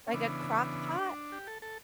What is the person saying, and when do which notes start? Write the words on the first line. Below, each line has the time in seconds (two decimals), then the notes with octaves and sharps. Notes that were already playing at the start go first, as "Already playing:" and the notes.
Like a crock pot?
0.08 C#4
0.14 C#3 E3 B3 D4
1.32 G4
1.47 A4
1.62 A4